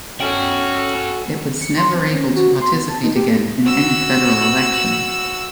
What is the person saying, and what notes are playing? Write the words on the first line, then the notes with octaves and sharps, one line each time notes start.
It was never able to participate again in any federal election.
C#4 F#4 A4 G5
C#7
C6
C4
C#4
F#4
C6
B3
A5
D#4
G4
A4
F#4 E6